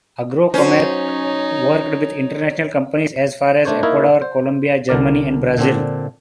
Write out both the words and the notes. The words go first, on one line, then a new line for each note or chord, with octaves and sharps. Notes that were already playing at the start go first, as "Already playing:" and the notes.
Agrokomerc worked with international companies as far away as Ecuador, Colombia, Germany and Brazil.
F#3 C#4 D#4 C5 C#5
A3 D4 C5 C#5
A#3 D#4 E4 A#4 C#5 E5
C5
C2 D3 A#4 D5
A#2 D3 C4 D4